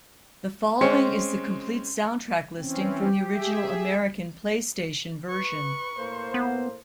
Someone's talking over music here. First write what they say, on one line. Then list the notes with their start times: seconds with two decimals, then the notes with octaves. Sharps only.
The following is the complete soundtrack listing from the original American PlayStation version.
0.81 G#3 C4 C#4 C#7
2.58 E3 C4 C#4
2.98 G4
3.33 G#4 E5
5.29 B4 C#6
5.97 A2 A#3 C5
6.34 B3